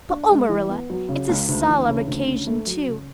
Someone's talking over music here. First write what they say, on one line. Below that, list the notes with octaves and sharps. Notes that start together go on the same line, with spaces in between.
But oh, Marilla, it's a solemn occasion too.
D4
G#3
E3
B3
F#3
C#3
C#2
D2
E3
C#3
D2
C#4
A3
F#3
C#3